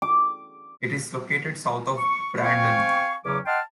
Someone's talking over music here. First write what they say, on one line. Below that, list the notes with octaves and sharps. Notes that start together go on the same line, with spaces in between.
It is located south of Brandon.
D6
C#6
C4 F5 G5 G#5 C#6
E2 C#3 F#3 C#4 D6
D#5 F#5 G5 A5 C6 F6